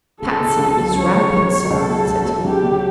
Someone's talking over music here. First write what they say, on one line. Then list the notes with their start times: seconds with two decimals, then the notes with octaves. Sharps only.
"Patsy is rampant, sir," said he.
0.21 C#2 A4
0.40 C#3
0.58 C#2
0.77 F#3
0.95 C#2 C#5
1.14 C#3
1.33 C#2
1.51 F#3
1.69 C#2 A4
1.88 C#3
2.07 C#2
2.25 F#3
2.43 C#2 G4
2.63 C#3